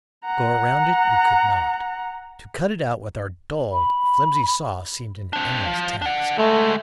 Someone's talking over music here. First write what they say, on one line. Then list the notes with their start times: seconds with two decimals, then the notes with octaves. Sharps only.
Go around it we could not; to cut it out with our dulled, flimsy saw seemed an endless task.
0.25 F#5 A#5
3.72 B5
5.33 C4 D4
5.66 F3
6.02 D4 F#5
6.38 D2 G#3 A3